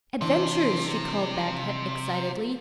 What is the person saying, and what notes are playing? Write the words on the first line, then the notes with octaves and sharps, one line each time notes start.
"Adventures!" she called back excitedly.
C3 E3 D4